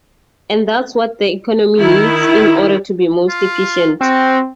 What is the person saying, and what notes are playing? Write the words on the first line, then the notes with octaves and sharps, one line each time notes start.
And that's what the economy needs in order to be most efficient.
D#3 E4
F4
C4 F#4